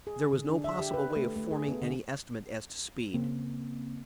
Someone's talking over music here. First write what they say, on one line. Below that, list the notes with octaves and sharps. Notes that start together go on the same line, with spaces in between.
There was no possible way of forming any estimate as to speed.
G#4
D3
D4
E5
G4
B4
A3
A3
G#4
B3
D3
C#3 A#3 C4